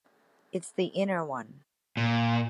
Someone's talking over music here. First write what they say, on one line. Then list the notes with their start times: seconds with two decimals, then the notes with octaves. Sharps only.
It’s the inner one.
1.97 A#2